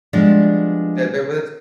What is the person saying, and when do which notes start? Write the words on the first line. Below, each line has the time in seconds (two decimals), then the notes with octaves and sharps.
The there was
0.13 F3 G3 G#3 B3 D4